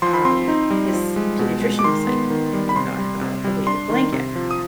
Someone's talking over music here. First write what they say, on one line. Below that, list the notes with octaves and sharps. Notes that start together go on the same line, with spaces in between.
um, his pediatrician was like, "Have you thought about a weighted blanket?"
F3 C6
B5
C4 C6
D#4
G3
F3
G#3
B2
G#3
D6
D#3 C6
B3
D#3
G3
B5
C3 C6
G3
C3
G3
D4 C6
D#3
C3
F3
D#6